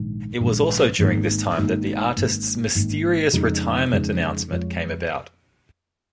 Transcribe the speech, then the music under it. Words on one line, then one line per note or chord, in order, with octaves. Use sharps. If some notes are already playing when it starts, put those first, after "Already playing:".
It was also during this time that the artist's mysterious retirement announcement came about.
Already playing: A#1 G#2 D#3
A#1 G#2 D#3
G#1 G#2 D#3 A#3 D#4
G#1 G#2 D#3 A#3 D#4
G#1 G#2 D#3 A#3
G#1 G#2 D#3 A#3
F2 C#3 G#3 D#4
F2 C#3 G#3 D#4
F2 F3 G#3 F4 C#5